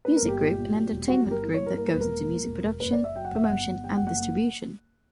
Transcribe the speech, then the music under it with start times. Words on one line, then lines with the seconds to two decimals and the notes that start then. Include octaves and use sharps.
Music Group, an entertainment group that goes into music production, promotion and distribution.
0.05 A#3 B4
0.16 A#4
0.23 G1
0.28 G4
0.39 A#2
0.57 A#2
0.75 F#3
0.91 E1
1.08 G3 F#4
1.26 G1 G4
1.31 A#4
1.43 E4
1.54 C#5
1.60 G2
1.66 A#4
1.77 A#3 A#4
1.88 B4
1.94 E1
2.00 A#4
2.11 A#3
2.29 A#1
2.47 E1
2.63 E1
2.80 F#1 B4
2.92 F#1 D5
3.04 E5
3.15 F#3 G5
3.25 F#5
3.32 E1 E5
3.44 F#5
3.50 G1
3.67 G1
3.84 G3 G5
3.96 F#5
4.02 F#1
4.07 F#5
4.18 A#3